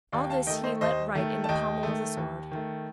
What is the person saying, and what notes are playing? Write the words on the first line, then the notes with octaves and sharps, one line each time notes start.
All this he let write in the pommel of the sword.
D#2 D5 F5
G5
F5 A5
D#3 A3 D#5 G5
C5 D#5
D#2 C5 D#5
D#3 A3
A5
D#2 D#5 G5
D#3 A3
D#2
D#3 A3